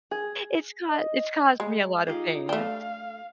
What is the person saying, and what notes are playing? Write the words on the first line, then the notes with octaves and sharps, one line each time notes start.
It's cau it's caused me a lot of pain.
G#4
D#5
G#3
D#4 F4 G4 G#4
A3 D4 A4 F5 G5